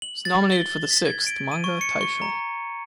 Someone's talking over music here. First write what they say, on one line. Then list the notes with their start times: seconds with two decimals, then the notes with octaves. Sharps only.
It was nominated for the sixth "Manga Taisho".
0.02 F#7
0.25 A6
0.52 G7
0.69 A6
0.90 B6
1.05 G#6
1.27 D7
1.52 D#7
1.64 C#6
1.81 C#7
2.01 C#6
2.22 A#5